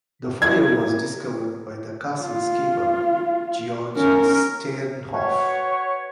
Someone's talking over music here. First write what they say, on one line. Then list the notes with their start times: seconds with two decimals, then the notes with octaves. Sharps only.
The fire was discovered by the castle's keeper, Georg Stiernhoff.
0.42 E4 G#6
2.19 F4
3.96 C#4 A#4
5.14 F#4 B4 C#5